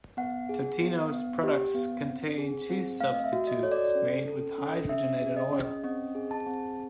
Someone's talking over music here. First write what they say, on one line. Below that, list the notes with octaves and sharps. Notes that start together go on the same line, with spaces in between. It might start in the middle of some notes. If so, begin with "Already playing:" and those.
Totino's products contain cheese substitutes made with hydrogenated oil.
B3 F#5
G#4
B3
B3
G4
B3
C4
G#4
C4
A3 F5
D#5
E5
F#4
D#5
A4 C#5
D5
C#4
A4
C#4
C#4 E5
G#4
D#5
C#4
C4 D#5
G#4
A5
C4